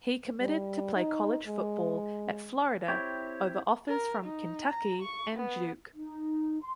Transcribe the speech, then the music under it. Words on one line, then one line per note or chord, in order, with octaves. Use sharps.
He committed to play college football at Florida over offers from Kentucky and Duke.
G3
D#4
G#3
C4 E4 G4 C#5
A#4
D#4
A#5
C#6
B3
D#4
C6